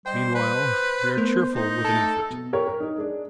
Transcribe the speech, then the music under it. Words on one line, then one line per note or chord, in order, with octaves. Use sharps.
Meanwhile we are cheerful with an effort.
G3 C5 D#5 G5
B4 C5
A3 B3 A#4
D#4 C5
A3 A4 G#6 D7 D#7
B2
G4 A#4 C#5
A#4
D#4
G#3 D4